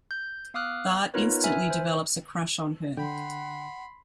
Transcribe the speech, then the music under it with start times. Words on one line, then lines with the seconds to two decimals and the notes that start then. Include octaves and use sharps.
Bart instantly develops a crush on her.
0.11 G6
0.54 B3 F5 D6 D#6 F6 F#6
1.14 B3 D#4 F4 A#4 B4 C#5
1.44 B4 E5 G#5 F6
1.70 C5
2.97 D3 F#5 G5 B5 C6